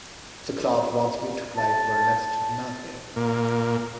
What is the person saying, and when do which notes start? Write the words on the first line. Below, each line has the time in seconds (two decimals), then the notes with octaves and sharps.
The club wants me to play for next to nothing.
1.57 A5
3.16 A#2